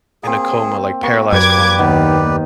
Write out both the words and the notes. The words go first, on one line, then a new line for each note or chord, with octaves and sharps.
in a coma, like, paralyzed coma.
A#3 C4 G#4
A#3 F#4
F#2 G4 B4 D5 D6 G#6
D#2 D#3 B3